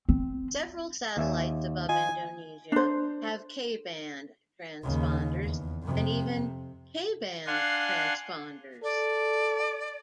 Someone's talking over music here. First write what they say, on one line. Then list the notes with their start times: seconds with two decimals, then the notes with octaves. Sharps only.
Several satellites above Indonesia have K-band transponders, and even K band transponders.
0.09 C4
1.17 D#2 E5 G#5
1.89 F4 D#5 G#5
2.72 D4 C5
4.83 D#2 C#3
5.44 E2
5.83 F2 C3
7.47 D4 F5 F#5 G#5 C6
8.83 A4 D5